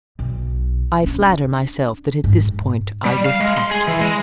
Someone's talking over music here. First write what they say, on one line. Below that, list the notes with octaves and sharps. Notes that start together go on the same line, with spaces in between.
I flatter myself that at this point I was tactful.
B1
C#4 D4
G#2
G3
F5
G#3
C6
G#4
E3
G#3